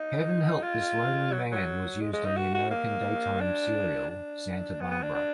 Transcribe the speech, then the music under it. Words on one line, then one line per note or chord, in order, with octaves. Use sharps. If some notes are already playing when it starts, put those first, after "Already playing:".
"Heaven Help This Lonely Man" was used on the American daytime serial "Santa Barbara".
Already playing: D#4
F4
F#3
F#3
G#3
G#3
D#4
F#4
F#4
A#3
D4
D4
B3
B3
D4
D4